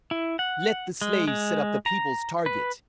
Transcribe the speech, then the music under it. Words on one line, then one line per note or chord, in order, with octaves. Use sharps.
Let the slaves set up the people's target.
E4
F#5
G#3
G#3
A#5
B4